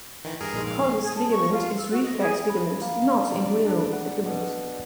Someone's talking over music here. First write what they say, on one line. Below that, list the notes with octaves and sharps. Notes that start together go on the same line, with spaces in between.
Colles' ligament is reflex ligament not inguinal ligament.
D#3 E3
G2 G#4 A#4
A#1 D#3 G#3
F5
G#4
A5
C#6
F4
E6
F#4
D#5
G#4
B5
A#3
D4
D5
D4
F#5
B2